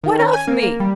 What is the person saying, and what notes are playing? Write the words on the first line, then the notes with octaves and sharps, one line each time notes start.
What of me?
D#3
C#4
G#5
A#3
A#3
G3